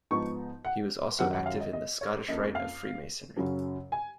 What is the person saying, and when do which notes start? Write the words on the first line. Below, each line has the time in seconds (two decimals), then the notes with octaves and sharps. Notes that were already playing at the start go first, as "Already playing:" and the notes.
He was also active in the Scottish Rite of freemasonry.
0.11 G#2 F3 B3 D#4 C#6
0.65 F#5
1.19 F#2 D#3 F#3 C#4 F#5
1.33 F#5
1.46 F5
1.60 D#5
1.73 D#5
2.01 C#5
2.28 F2 F3 A#3 C#4 D#5
2.55 F5
3.37 F#2 C#3 F#3 C#4
3.92 G#5